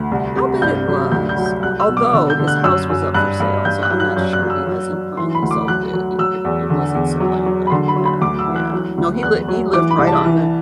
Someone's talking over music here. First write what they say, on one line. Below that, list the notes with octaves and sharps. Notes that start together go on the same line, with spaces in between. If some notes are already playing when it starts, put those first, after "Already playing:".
I bet it was, although his house was up for sale, so I'm not sure he hasn't finally sold it it it wasn't selling, but yeah, yeah, no, he lived he lived right on the
Already playing: D2
C2
C3
G2 G6
F#3
D2 G6
G6
F#3
G6
C2 F#6
E6
B2
D6
D3 E6
G6
D3
F#6
F#2 E6
F#2
G2 F#6
G2
G2 G6
F#6
F#3
F#6
F#2 G6
F#6
F#3
E6
F#3
F#3
E3 C6
B5
D2
D6
F#3 F#6
F#3
F#3 E6
E2
D3
E2
F#3
F#3
B5
D3 C6
B5
F#3
B5
D2 D6
E6
E3
F#6
F#3
D2
E2 F#6
F#3
E3 D6
B5
C2
A5
E3